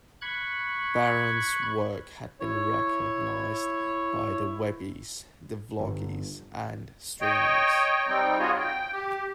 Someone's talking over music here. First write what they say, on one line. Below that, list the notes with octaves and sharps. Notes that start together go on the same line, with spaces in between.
Baron's work had been recognized by the Webbys, the Vloggies and Streamys.
B5 C#6 F#6 G#6
E4 C#5
G1
C#5 D#5 G5
G3 C4 D#4 G5
F4 F#4 G#4 C#5 D#5
G5
G4